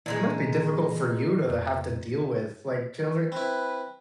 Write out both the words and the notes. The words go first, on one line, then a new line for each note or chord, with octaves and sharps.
That must be difficult for you to have to deal with, like, children
A#2 D3 E3 G#3
F2
C4 E4 B4